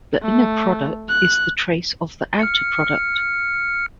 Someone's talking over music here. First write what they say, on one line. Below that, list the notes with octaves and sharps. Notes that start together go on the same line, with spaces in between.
The inner product is the trace of the outer product.
A3
F#6
F6 C#7